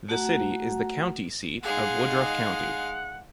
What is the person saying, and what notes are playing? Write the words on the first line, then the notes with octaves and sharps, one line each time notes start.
The city is the county seat of Woodruff County.
A3 F#4 F#5 A#5
G#3 D#4 G#4 F5 F#5